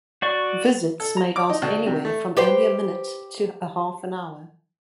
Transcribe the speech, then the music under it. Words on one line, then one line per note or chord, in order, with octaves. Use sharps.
Visits may last anywhere from only a minute to a half an hour.
F#4 D5 C#6
A4
A#5
D6
D#4
D2
C3
A3
G4 B4 C5